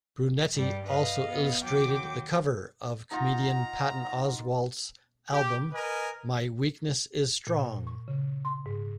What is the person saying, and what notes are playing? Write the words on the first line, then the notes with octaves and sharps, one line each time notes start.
Brunetti also illustrated the cover of comedian Patton Oswalt's album, "My Weakness Is Strong".
G2 G3
B4 D#5 F5
B3
D#2 F#3 G5 D6
D#4 F4 F#5 A#5
G4
A#4 B4 D#5 G#5
A#2
C#6
C#3
C6
G#2